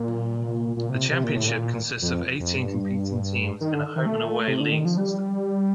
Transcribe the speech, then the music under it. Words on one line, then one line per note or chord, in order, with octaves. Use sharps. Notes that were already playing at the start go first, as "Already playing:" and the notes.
The championship consists of eighteen competing teams in a home and away league system.
Already playing: A#2
A#2
C3
C3
A#2
A2
A#2
F2
F2
G2
D#3
D3
D#3
A3
C3
D3
D#3
F3
G3